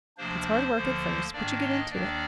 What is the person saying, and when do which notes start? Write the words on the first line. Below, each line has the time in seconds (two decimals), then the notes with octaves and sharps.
It's hard work at first, but you get into it.
0.17 D2 C3 F3 A#3 D4 C5
0.75 D2 D3 F3 A#3
1.33 G#2 D#3 A#3 D4 D5
1.62 D#5
1.91 D#2 D#3 A#3 D4 D5